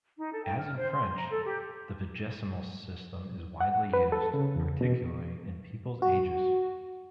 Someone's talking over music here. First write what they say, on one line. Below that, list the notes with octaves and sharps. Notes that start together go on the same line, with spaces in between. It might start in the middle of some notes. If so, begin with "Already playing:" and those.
As in French, the vigesimal system is widely used, particularly in people's ages.
D#4
A4
G5
F6
C5
C6
A#5
A4
G4
F#5
B4
A4
C#3
E2
B2
F#4